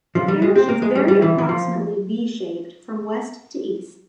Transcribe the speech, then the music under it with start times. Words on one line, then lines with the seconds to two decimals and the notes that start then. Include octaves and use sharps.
The parish is very approximately V shaped from West to East.
0.15 F3
0.28 G3
0.42 G#3
0.56 C4
0.69 A#3
0.82 G#3
0.95 G3
1.08 G3
1.22 E3
1.38 E3
1.49 F3